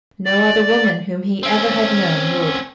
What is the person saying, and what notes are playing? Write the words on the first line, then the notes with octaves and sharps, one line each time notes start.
No other woman whom he ever had known would.
D5
C4 C#4